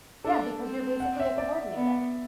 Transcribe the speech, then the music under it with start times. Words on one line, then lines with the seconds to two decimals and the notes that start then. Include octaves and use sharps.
Yeah, because you're basically a coordinator.
0.25 D4 A4
0.62 C4
1.00 F#5
1.19 E5
1.38 D5
1.76 B3